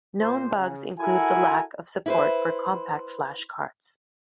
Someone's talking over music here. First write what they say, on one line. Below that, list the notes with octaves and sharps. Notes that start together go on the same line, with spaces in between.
Known bugs include the lack of support for CompactFlash cards.
A#2 C5
C#3
E4 F#4 A4 A#4 F#5 G#5
E4 B4 C5